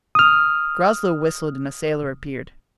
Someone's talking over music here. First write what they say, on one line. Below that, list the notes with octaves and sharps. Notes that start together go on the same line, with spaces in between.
Groslow whistled and a sailor appeared.
D#6 F6